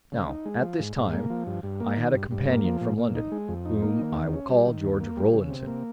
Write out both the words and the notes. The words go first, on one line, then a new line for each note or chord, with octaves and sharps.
Now, at this time I had a companion from London, whom I will call George Rollinson.
C#3
D#4
G#3
F3
G#2
G#2
A#3
F3
G2
G2
A#3
D#3
G2
G2
A#3
F3
A#2
A#2
D#4
G#3
F2
D#4
A#3
D#3
D#2
C#4
G3
D#3
D#2
A#3
G3
C#3
C3
A#3